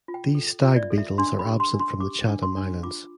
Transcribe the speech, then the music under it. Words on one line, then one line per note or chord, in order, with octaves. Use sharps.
These stag beetles are absent from the Chatham Islands.
F4
G5
A4
F4
E5
D5
A4
E5
D4 C6
B5
G4
C6
D4
C6
G4 D6
D4
C6
D4
F4 D6